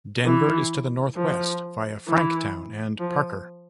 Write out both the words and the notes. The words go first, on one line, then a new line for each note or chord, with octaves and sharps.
Denver is to the northwest via Franktown and Parker.
E3
F3
E3
F3